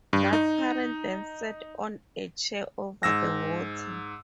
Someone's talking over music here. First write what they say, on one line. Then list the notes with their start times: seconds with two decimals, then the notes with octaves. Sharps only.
That parent then sat on a chair over the water.
0.13 G2
0.33 D#4
3.03 G#2 E6 A#6